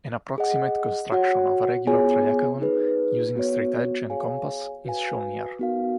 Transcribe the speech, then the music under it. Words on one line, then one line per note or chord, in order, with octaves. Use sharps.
An approximate construction of a regular tridecagon using straightedge and compass is shown here.
G#4 D#5 F#5
F#4 C#5 F#5
B3 F4 G#4 C#5 G#5
D#4 G#4 B4
B3 F#4 C#5
G#4 C#5 F5 G#5
F#4 B4 F5 G#5
B3 D#4 F#4 A#4 F5